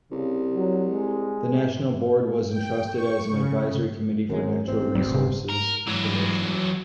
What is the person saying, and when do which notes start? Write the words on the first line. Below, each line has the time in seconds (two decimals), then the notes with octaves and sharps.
The national board was entrusted as an advisory committee for natural resources information.
0.11 C2 C#3
0.53 F#3
0.89 G#3
2.48 G5
2.92 C#6
3.28 C#3
4.30 G#1 F#2 B2 G#3
4.68 A1 A2 C4
4.95 D#1 B2 G3
5.14 C#3
5.49 A#4
5.87 E3 F#3